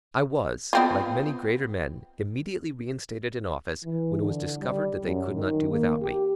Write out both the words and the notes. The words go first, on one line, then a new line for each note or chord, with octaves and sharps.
I was, like many greater men, immediately reinstated in office when it was discovered that they could not do without me.
B3 C4 F4
E3
D3
G3
F#2
D#3
A#3
G4